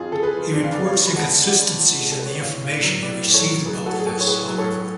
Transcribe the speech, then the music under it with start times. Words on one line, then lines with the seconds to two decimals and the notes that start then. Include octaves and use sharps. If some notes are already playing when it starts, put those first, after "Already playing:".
He reports inconsistencies in the information he received about this, however.
Already playing: F2 F4 G#4
0.12 C#3 A4
0.23 G#4 B4
0.33 F3
0.53 F2 D5
0.64 F5
0.74 C#3 B4 D5
0.85 C#5 F5
0.96 F3
1.07 B5
1.16 G#3 F#5 A5
1.37 C#3
1.47 D5 F#5
1.58 C#3
1.78 F3
1.99 G#3
2.12 A4
2.18 G#3 B4
2.26 C#5
2.33 D5
2.41 A2 C#5 F5
2.61 A2 F5
2.72 B4 D5
2.82 F#3
3.03 A2 B4 D5
3.24 A2
3.29 D5
3.34 A4 C#5
3.44 F#3
3.65 F#3 G#4 B4
3.86 F#3 F#4 A4
3.99 G#4
4.06 A2 F#4 A4
4.21 C#5
4.27 A2 G#4 B4
4.48 F#3
4.58 A4 C#5
4.69 A2